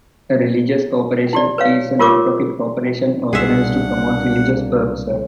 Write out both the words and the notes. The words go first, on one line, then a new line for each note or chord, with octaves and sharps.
A religious corporation is a nonprofit corporation organized to promote religious purposes.
E4 G4 D5
B4 C#5 F5
F4 G4 A#4 C#5 C#6 D6
C2 A#2 A#3 D4 G#4 E5 F#5